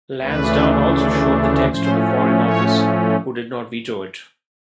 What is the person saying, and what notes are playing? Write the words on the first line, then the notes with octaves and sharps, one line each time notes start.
Lansdowne also showed the text to the Foreign Office who did not veto it.
D2 C#3 E3 A3 D4 B4
A2 F3 A3 C#4 C5
C#5